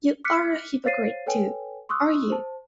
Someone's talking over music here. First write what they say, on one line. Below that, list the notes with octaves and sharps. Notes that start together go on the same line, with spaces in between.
You are a hypocrite, too, are you?
D6 F6 F#6 B6 C#7
C5 C#5 F5 A6 C7 D#7
A4 B4 C#5 G5 G#5
C6 C#6 D#6 E6 F#6
C5 A5